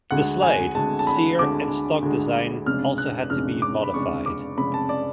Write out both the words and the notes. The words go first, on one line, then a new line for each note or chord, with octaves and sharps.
The slide, sear, and stock design also had to be modified.
D2 D3 G#3 F#5
G#5
D2 D3 G#3 A5
A5
B5
D2 D3 G#3 D6
D2 D3 G#3
F1 F2 C#3 G#3 D4 F6
F#6
F1 F2 C#3 G#3 D4 F6
D6
B5
F1 F2 C#3 G#3 D4 C#6
D6
F1 F2 C#3 G#3 D4 B5
A5
D5